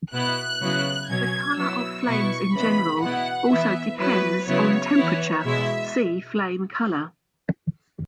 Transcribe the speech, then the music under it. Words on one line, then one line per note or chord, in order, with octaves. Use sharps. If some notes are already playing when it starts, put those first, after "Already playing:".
The color of flames in general also depends on temperature; see flame color.
B2 B3 E4 F#6
C#3 F#3 B3 E4
B2 F#3 C#4 G#6
F#3 B3 E4 E6
B2 B3 E4 C#6
C#3 E3 G#3 B3 B5
B2 B3 E4 F#5
E3 B3 E4 E5
F#3 B3 E4 B4
C#3 F#3 B3 E4 C#5
E3 B3 E4
B2 G#3 E4 E5